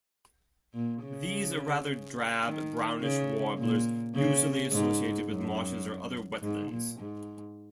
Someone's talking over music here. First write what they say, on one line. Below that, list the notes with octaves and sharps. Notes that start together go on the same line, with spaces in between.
These are rather drab brownish warblers usually associated with marshes or other wetlands.
A#2
C#3
D#3
C#3
A#2
C#3
G#2
F#2
G#2
A#2
G#2